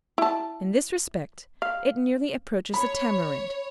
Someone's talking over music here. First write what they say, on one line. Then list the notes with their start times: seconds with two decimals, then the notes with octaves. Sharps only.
In this respect, it nearly approaches the tamarind.
0.18 E4 A5
1.62 F5
2.74 C#5 B5